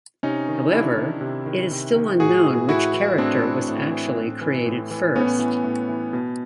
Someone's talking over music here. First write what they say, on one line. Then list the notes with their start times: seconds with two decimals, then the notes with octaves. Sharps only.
However, it is still unknown which character was actually created first.
0.23 C3 C#4 D#4
0.48 D#3
0.72 C3 D4 E4
0.96 D#3
1.21 C3
1.46 D#3
1.71 C3
1.95 D#3
2.20 A2 F#4 G#4
2.44 E3
2.68 A2 E4 F#4
2.93 E3
3.18 A2 C4 D4
3.43 E3
3.68 A2
3.91 E3
4.17 A2
4.41 E3
4.66 A2
4.91 E3
5.15 A2 B3 C#4
5.39 E3
5.64 A2
5.89 E3
6.13 B2